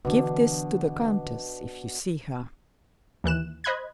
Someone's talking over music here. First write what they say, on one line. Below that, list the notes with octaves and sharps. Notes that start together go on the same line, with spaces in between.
"Give this to the countess... if you see her."
B2 D3 E3 D4
D#2 E3 F#6 E7
C5 D#5 B5 F#6 G#6